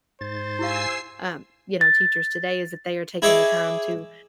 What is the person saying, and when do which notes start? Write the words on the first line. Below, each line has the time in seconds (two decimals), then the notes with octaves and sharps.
um, you know, teachers today. Is that they are taking the time to
0.21 G#2 C5 A6
0.59 E4 G4 F5 G#5 E6 C7
1.81 A6
3.22 E4 G#4 C#5 D#5 E5 D6